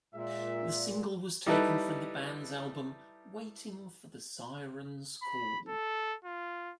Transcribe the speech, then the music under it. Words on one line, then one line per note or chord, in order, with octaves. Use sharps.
The single was taken from the band's album, "Waiting for the Sirens' Call".
A#2 G#3 E5
G3 D#4 E4 A4 B4
B5
A4
F4